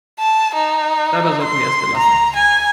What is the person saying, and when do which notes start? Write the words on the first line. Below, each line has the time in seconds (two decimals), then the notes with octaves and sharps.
Dabei sollten wir es belassen.
0.20 A5
0.55 D#4
1.43 C6
1.97 A#5
2.36 G#5